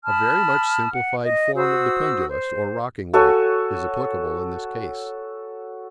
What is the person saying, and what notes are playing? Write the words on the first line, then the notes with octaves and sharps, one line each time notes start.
A very much simplified form of the pendulous or rocking weight is applicable in this case.
A5 B5 D#6 F6
F#5
D#5
F#4 C5 D#6 E6
C5
F#4 A4 C#5 G#5